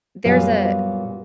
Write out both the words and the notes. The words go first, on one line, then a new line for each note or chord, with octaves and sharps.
there's a
F#2 A#2 G3 B3 F5 G#5